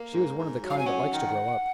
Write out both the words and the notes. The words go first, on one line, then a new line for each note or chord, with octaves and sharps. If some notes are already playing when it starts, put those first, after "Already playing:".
She was one of the kind that likes to grow up.
Already playing: A#3
G#2
G#2
F#3
F5
G#5
C#4 F#5
D#3